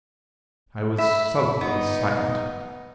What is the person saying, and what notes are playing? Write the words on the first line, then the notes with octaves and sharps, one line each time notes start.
I was sulkily silent.
E5 B5
B3 D#4